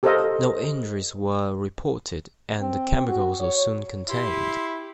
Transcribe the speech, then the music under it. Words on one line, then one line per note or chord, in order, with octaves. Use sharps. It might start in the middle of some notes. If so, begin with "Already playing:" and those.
No injuries were reported, and the chemicals were soon contained.
G4 A4 A#4 C5 D#5 F5
C4
F#4
C#5
E4 G4 C6